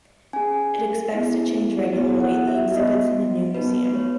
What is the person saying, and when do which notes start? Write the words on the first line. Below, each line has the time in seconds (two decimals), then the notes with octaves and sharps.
It expects to change regularly the exhibits in the new museum.
0.33 C#4 G#4 G#5
1.13 B3 E4 G#4
1.93 B3 E4 G#4
2.20 F#5
2.48 E5
2.74 B3 D#4 F#4 D#5
3.54 B3 D#4 F#4 B4
3.84 B4
3.95 C#5